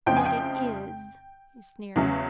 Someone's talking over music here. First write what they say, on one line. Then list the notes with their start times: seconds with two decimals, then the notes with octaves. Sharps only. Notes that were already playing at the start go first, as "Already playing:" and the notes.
"What it is," he sneered.
0.06 F2 C#3 F3 A3 C4 G5
0.17 G#5
0.26 G5
1.96 E2 C#3 F#3 A3 C#4